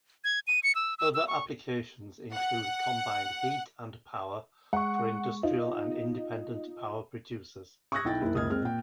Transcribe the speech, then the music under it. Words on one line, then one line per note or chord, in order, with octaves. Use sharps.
Other applications include combined heat and power for industrial and independent power producers.
G#6
D#7
C#7
E6
E6
E6
C#6
F#5
G#3 F#5 C#6
D#4 F4
C#6 D#6 E6 F#6 G#6 A#6
B1 E4 G5 A6
F#1 E4
F#1 C#2 D#6 F6 G#6
G#3 C4 F6
A#2 G5